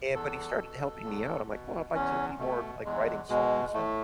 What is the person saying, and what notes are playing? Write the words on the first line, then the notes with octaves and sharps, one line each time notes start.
and but he started helping me out. I'm like, "Well, I'd like to be more, like, writing songs and
E2 A4
B2
E2
B2
E2 C#4
B2 A3
E2 G#3
B2 G#3
A2 A3